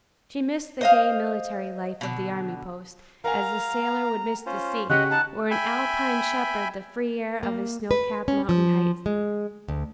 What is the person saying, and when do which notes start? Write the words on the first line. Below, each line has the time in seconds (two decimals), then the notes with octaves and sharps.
She missed the gay military life of the army post, as a sailor would miss the sea, or an Alpine shepherd the free air of his snow-capped mountain heights.
0.81 C5 D#5 F5
2.01 B2 D3
3.24 A#4 F5 F#5 G#5 A#5
4.46 C#4 F4 C5
4.89 C#3 F#4 G4 D#5 F#5 F#6 C#7
5.11 D#4 F#5 A5
5.51 E5 G5 G#5 B5
7.43 A#3
7.91 B4
8.28 C#4
8.49 F3
9.06 G#3
9.68 D2